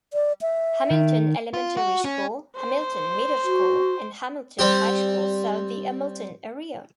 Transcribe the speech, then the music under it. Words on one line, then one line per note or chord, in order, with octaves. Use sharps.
Hamilton Elementary School, Hamilton Middle School, and Hamilton High School serve the Hamilton area.
D5
E5
D#3
F4
F#4
C#4
C5
F#4
G3 C4 G4